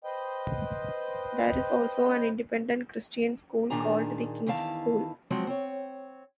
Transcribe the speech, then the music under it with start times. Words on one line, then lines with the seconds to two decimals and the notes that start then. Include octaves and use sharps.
There is also an independent Christian school called the King's School.
0.04 B4 C5 D#5 G5
3.70 A#2 D#3 D4 G#4 A#5
4.46 E2 D#3 E4 F5 A5
5.30 F3 F#3 G#3 C4
5.47 C4 C#5